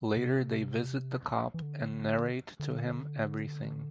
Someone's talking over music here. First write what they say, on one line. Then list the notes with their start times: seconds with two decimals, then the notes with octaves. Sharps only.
Later they visit the cop and narrate to him everything.
0.17 C3
1.54 E3
1.62 D3
2.60 D3